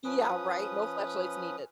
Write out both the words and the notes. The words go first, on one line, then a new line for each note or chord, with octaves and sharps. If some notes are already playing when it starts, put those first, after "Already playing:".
Yeah, right. No flashlights needed.
F3 C#4 B4 D#6